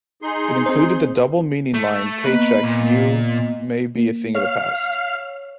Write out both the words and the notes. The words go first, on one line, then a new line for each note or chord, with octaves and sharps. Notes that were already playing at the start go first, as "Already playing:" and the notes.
It included the double-meaning line Paycheck you may be a thing of the past.
D#4 G#4 C6
C4 C5
A3
A#3 B3 B4 D#5
A#2
A#3
C#5 F5